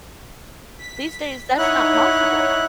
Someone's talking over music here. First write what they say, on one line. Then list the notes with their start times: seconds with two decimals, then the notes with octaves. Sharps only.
These days, that's not possible.
0.78 B6
1.58 D#4 E4 C#5 F#5 F#6